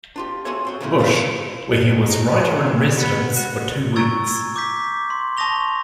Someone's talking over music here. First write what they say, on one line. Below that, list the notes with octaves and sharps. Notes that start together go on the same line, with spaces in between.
Bush, where he was writer-in-residence for two weeks.
D4 F4 G4
A3 F4 F#4 G#4 A4 C#5
G#2 C4 F#4
A#2 C#3 A3 A#3 C#4 E4
A#3 B3 E4 F4 A4
D2
D#4
F2
A#2
G2
B3
F#4
A#5 C#6 E6 G#6 A6
D6 G6 B6
C6
A5 C#6 D#6 A#6 F7 G7